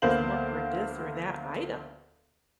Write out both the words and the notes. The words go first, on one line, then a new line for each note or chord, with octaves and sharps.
more for this or that item."
D2 A#3 B3 C5 F5 F#7